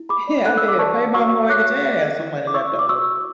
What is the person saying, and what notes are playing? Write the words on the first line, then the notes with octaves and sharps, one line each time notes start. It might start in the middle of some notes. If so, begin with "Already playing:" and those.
Yeah, I'd be able to pay my mortgage and have some money left over.
Already playing: E4
G#4 B5 D6
D5
A4 F#6
E4 E6
D6
D5 A5 C#6
B4
F#4 C#6 E6
F#4
C#5 D6 F#6
C#5
D5
G#4
E4
D5
D6
E4 C#6 E6
E4
D6
F#4 C#6 E6
F#4